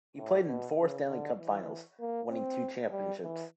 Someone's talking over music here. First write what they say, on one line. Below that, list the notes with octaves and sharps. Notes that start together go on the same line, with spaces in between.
He played in four Stanley Cup finals, winning two championships.
A2
B2
C#3
D3
E3
A#3
C4
G3
E3